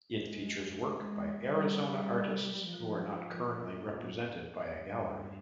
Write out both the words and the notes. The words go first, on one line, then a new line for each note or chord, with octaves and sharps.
It features work by Arizona artists who are not currently represented by a gallery.
G#3
G#3
G3
G3
F3
A#2
G2